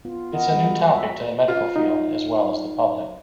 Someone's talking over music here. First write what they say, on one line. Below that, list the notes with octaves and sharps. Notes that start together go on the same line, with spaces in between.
It's a new topic to the medical field, as well as the public.
B3 F4
E4 A#4 D#5 F#5
G3 G#3
F#4
F#4 E5
F4
D#4 F#4